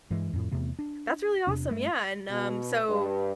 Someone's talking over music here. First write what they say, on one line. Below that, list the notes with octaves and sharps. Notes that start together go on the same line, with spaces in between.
that's really awesome. Yeah, and, um, so,
G2 E3 G#3
F2 A2
E2 C3 A3 B3
D4
E2 C3 D4
G2 A3
B2
G2